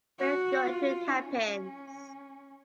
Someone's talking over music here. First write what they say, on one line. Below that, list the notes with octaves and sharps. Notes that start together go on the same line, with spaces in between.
We’re going to Campins.
F#4
F4
C#4